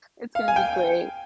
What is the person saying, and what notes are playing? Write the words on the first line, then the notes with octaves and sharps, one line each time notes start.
it's gonna be great.
F5
G#5
G5